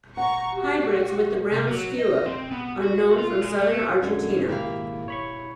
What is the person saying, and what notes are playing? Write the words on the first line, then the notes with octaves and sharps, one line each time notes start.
Hybrids with the brown skua are known from southern Argentina.
F#5 A#5 C#6
F#4 G4
C3
F#3
D#5
C4
B3
F#4
F4
G#3
A3
F#2 D3 G#6
G#1 A#3 E4 G4 F5
C#5 B5 C#6